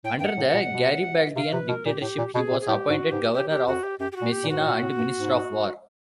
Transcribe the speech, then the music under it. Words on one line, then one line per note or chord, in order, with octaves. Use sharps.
Under the Garibaldian Dictatorship he was appointed governor of Messina and minister of war.
A2 G5
G2 G5
F#5
A2
F#5
A#2
B2
C3 F5
C3 B4
B2 A#4
A#2 G4
A2 G4
A#2
B2 G#4
A#2
G#4
A2 G4
G#2 F#4
G#2 G4
G4
G4
F2 F#4
G4
F#2 G4
G4
F#4
A#2
G4
A#2
G#2 F#4
A2
A#2
A2
G2
G#2